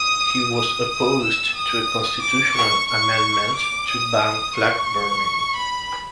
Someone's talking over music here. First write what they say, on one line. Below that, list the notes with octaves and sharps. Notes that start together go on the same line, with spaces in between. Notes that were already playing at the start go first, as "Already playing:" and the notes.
He was opposed to a constitutional amendment to ban flag burning.
Already playing: D#6
D#6
E6
D#6
D6
C#6
C#6
D6
D#6
C#6
B5